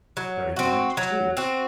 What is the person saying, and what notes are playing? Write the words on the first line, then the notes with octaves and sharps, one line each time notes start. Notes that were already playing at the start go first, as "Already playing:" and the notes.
"Very right too."
F#3
C4 F#4
F#3
C4 F#4